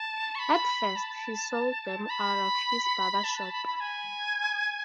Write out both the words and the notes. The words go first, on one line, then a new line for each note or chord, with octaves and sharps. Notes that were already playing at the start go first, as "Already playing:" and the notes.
At first, he sold them out of his barber shop.
Already playing: A5
C#6
B5
A5
A5
B5
A5
A5
B5
B5
G#5